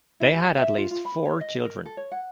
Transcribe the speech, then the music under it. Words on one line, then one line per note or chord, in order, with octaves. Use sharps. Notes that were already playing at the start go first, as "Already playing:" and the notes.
They had at least four children.
E4
G4
E5
F4
F4
B5
C#5
D#5
A#4
A4
C#5
F#5